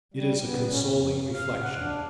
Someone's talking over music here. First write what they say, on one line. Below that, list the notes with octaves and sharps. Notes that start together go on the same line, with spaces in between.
It is a consoling reflection.
G3
B3
C#4
C4
F2
F#2
F5
F#5
D4